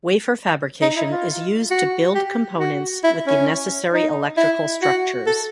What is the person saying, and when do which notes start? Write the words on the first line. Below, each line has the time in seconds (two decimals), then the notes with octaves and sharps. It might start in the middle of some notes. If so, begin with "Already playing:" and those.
Wafer fabrication is used to build components with the necessary electrical structures.
0.82 D#4
0.97 E4
1.12 F4
1.71 F#4
2.15 G4
2.60 F#4
3.04 E4
3.27 C#4
3.94 D#4
4.37 E4
4.82 F#4
5.27 A4